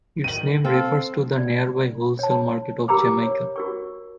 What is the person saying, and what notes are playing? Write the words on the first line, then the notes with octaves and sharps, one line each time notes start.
Its name refers to the nearby wholesale market of Jamaica.
D#3 D#7 F#7
C4 A4 F5 G5
D5
C#5 A5
G4 A#4 A#5 B5 D6
C#5
F#4 A#4 C#6